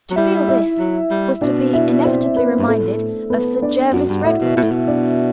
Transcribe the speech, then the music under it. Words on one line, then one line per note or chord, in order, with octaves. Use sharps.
To feel this was to be inevitably reminded of Sir Jervis Redwood.
F#3
G3 E4 E5
E4 E5
F#3
G3
B2 D4 D5
E4 E5
C4 C5
B3 B4
G2
A2 A3 A4
B3 B4
D4 D5
F#2 F#4 F#5
G2
A2 E4 E5
B2
B2 E4 E5
A2
B2
D4 D5